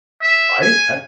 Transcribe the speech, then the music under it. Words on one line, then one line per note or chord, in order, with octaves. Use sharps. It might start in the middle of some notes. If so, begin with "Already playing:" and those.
Fights? I
E5
G#5